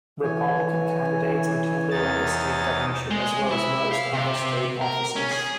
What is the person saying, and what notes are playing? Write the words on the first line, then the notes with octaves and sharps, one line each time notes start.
Republican candidates routinely won the state governorship as well as most other state offices.
E3 C#5 G#5
E2 D#4 A6
G#3
E4
F5
C3
A#4
C#4
G#4